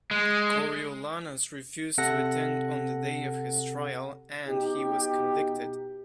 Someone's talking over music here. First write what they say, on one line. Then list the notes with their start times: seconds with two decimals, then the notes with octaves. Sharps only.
Coriolanus refused to attend on the day of his trial, and he was convicted.
0.11 G#3
1.98 C3 A4 F#5 A#6
4.48 B2 D#4 G4